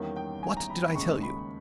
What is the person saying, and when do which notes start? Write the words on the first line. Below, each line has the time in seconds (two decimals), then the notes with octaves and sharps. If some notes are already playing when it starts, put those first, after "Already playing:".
"What did I tell you?"
Already playing: E2 D#3 G3 A#3 C#4 G5
0.16 G5
0.43 G#5
0.57 A#5
0.70 B5
0.83 B5
0.95 D#2 C#3 G#3 C#6
1.23 B5